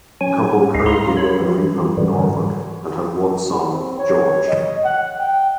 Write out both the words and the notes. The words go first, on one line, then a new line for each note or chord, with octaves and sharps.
The couple currently live in Reepham, Norfolk, and have one son, George.
F#3 C#4 G#5
D2 D#5 F5
E4 F5 A#5 C6
C#5 B5
E3
G#2 D3 E3 G3
C4
C#5
D#5
F#5
G5